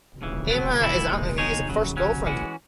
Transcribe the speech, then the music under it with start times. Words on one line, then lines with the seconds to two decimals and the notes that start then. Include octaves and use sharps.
Emma is Antony's first girlfriend.
0.22 D#2 C#3 E3
0.50 B2 F#3 B3
0.80 G#2 E3 B3 E4
1.09 A#2 G#3 D#4
1.38 B2 G#3 D#4 G#4 C#5
1.68 F#2 C#3 F#3
1.97 F#2 C#3 F#3 C#4
2.26 E3 G#3 C#4 F#4